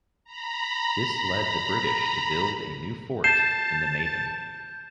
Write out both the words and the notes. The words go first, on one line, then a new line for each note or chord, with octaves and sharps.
This led the British to build a new fort in the Maidan.
A#5 B5
A5 G6 C7 E7